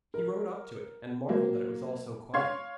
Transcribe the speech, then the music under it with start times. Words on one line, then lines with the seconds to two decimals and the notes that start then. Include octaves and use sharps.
He rode up to it, and marvelled that it was all so quiet.
0.14 A#4
1.29 F#3 A#3
2.34 C#5 F5 C6 G#6